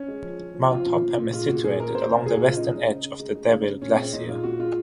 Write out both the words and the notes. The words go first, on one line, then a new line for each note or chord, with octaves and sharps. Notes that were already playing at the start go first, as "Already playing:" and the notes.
Mount Topham is situated along the western edge of the Deville Glacier.
Already playing: C#4
G#3
F3
F3
F3
F3 F4
A#2
A#2
A#2
G#3 F4
A#2 F#4
A#2 G#4
G#3 A#4
A#2 C5
A#2 A#4
A#2 G#4
F#4
G#3 F4
C#3 D#4
G#3
C#3
C#3
G#3
G#3
C#3
C#3
A#2 C#4
C4
G#3 C#4
A#2 D#4
G#3 F4
A#2 F#4
G#3 F4